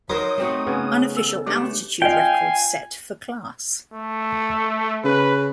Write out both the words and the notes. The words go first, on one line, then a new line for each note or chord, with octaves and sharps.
Unofficial altitude record set for class.
F#3 D#4 A#4 C5 C6 D#6
A3 C4 D#4 F#4 C5
C#3 B3 G#4
A4
A3 B3 D4 G4
F4 D#5 F5 G5 G#5
A3
C#3 B4